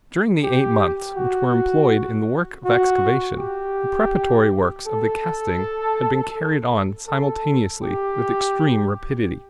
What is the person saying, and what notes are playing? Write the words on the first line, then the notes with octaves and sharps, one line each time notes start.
During the eight months which were employed in the work of excavation the preparatory works of the casting had been carried on simultaneously with extreme rapidity.
G4
F#4
F#4
G4
A4
A4
G4